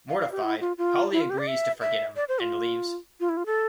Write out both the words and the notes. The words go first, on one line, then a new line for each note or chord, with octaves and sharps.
Mortified, Polly agrees to forget him, and leaves.
F5
F5
G4
E4
F4
F4
E4
F4
G4
D5
E5
E5
D5
C5
F4
F4
E4
F4
A4